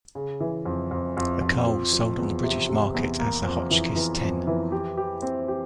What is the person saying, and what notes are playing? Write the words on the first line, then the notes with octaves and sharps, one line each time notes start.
The car was sold on the British market as the Hotchkiss Ten.
C#3
E3
F2
F2
F2
F2
F3
F3
E2
C3
C3
E2
A#3
F2
E3
E3
F2
E3
G4
G4
C4
G4